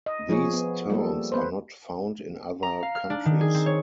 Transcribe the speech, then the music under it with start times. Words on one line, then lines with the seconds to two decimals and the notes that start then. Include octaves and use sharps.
These terms are not found in other countries.
0.06 D#5
0.29 F3 G#4 C#5
0.53 B3
0.90 G3 A#3 A4
1.32 B3 B4 C5
2.63 A#5
2.83 F5
2.95 F6
3.10 D4
3.25 D#3
3.41 G#4
3.54 C4
3.66 C#5